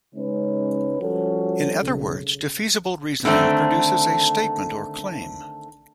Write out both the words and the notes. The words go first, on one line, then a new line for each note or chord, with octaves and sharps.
In other words defeasible reasoning produces a statement or claim.
C#3 G#3 C#4 D#4 B4
F3 G3 C#4 F#4 A4
B1 C#3
D3 D#3 A3 C4